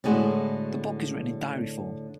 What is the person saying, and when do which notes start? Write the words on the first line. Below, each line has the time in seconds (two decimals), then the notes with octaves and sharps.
The book is written in diary form.
0.04 A2 D3 G#3 B3 F#4